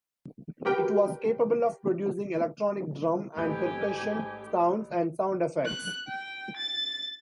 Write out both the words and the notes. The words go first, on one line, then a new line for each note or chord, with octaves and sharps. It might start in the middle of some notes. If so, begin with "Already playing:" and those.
It was capable of producing electronic drum and percussion sounds and sound effects.
F#4 G4 A#4 B4 G5
A1 G#2 G4 A4 B4 G#5 G6
F#6
G5
A6